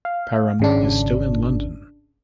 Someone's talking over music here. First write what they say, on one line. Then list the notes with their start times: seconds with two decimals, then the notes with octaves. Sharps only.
Param is still in London.
0.05 F5
0.60 G#1 C#3 D4